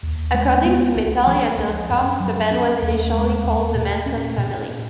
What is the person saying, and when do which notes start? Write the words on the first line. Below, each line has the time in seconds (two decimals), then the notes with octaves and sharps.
According to metallian dot com, the band was initially called The Manson Family.
0.03 D#2
0.34 G#3
0.65 B3
0.96 C#2
1.27 F3
1.58 C#2
1.89 F#2
2.20 F#3
2.51 C#4
2.82 D#2
3.13 G#3
3.45 D#2
3.75 A#2
4.06 C#4
4.38 A#2